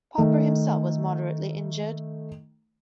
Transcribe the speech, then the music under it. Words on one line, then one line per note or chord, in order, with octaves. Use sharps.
Popper himself was moderately injured.
D#3 A3